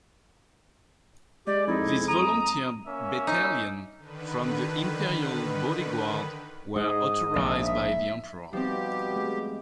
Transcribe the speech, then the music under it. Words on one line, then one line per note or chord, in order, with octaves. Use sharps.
This volunteer battalion from the Imperial Bodyguard were authorized by the Emperor.
G#3 G4 D5
F2 D#4 E4
A#5 D#6
A#3 C#4 E5
D#4
D3 D#3 B4
G#2 D#5
A#1
E5
B2 F3 G3 C4 D#4 G4
G#3 A3